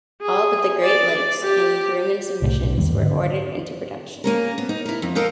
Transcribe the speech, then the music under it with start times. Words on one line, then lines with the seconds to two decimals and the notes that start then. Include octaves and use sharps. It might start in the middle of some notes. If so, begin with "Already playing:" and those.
All but the Great Lakes and Grumman submissions were ordered into production.
0.22 G#4
0.84 D5
1.43 G4
2.42 C2 A2 F3 A3
2.62 B1
2.77 E2 D#3 G3 A#3
2.92 G#2 D3
4.24 A#3 C#4 A#4
4.58 B3
4.69 D#4
4.85 E4 A#4
5.02 F2
5.15 A4 A#4 D#5 F5 G5